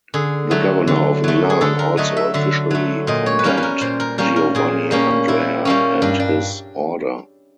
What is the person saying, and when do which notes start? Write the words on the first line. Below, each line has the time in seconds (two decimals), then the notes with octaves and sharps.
The governor of Milan also officially condemned Giovanni Andrea and his order.
0.14 D3 G#4
0.51 F#3 A3
0.87 D3
1.24 F#3 A3
1.50 G#4
1.61 D3 A4
1.79 A#4
1.97 F#3 A3 D#5
2.17 E5
2.34 D3 E5
2.70 F#3 A3
3.07 A#2 D#5
3.26 C#5
3.39 B4
3.44 G3 A#3 C#4 A#4
3.57 B4
3.63 A#4
3.81 A#2 C5
4.00 A#4
4.18 G3 A#3 C#4 A#4
4.36 A#4
4.55 A#2 G#4
4.91 G3 A#3 C#4
5.28 A#2 E4
5.65 G3 A#3 C#4
6.02 G2 D4
6.20 D4